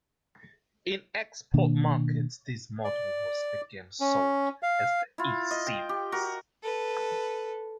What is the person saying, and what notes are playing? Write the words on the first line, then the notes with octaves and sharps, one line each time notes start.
In export markets this model was again sold as the E-series.
B2 D#3 A#3 D4
D5
C#4
F5
E4 F4
D#5
G5
G4
F#4 A#4
A4 B4